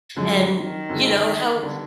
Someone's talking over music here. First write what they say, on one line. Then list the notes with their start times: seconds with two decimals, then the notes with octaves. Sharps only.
and, you know, how
0.16 F#2 D3 F3 F#3 G#3
0.54 D#3
0.89 F#2 D3 F3 G#3
1.62 D3 G3 B3 D4